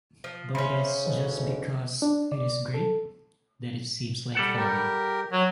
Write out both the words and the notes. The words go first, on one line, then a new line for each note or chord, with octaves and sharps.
But it is just because it is great, that it seems like folly.
F3
C#3 C#4 C5 E5 B5
D2 G#2
D4
D5
A4
G3 A4 F#5
G4 A#4
F#3 C#5